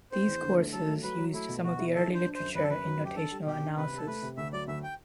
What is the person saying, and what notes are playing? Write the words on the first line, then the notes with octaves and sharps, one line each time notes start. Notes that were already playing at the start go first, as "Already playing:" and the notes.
These courses used some of the early literature in notational analysis.
C4 C5
E2
D3
A3
F#3 A4
A3
F#3 B4
F#3
A3 E4
B2
B2 F#4
E4
E3 A4
D4
C5
D4
F#2 C5
F#2 B4
A4
F#2 B4
F#3
F#2 G4
D4 A4
G3
B2 G4
D4
C3 B4
C3
A4
A3 B4
C3
D2 E5
F#3 D5
D2 E5
G5